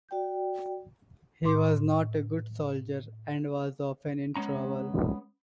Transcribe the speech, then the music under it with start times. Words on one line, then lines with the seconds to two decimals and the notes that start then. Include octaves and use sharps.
He was not a good soldier, and was often in trouble.
0.11 F#4 D5 G5
1.45 A2 C6 D6
4.36 G#3 B3 C#4 A#5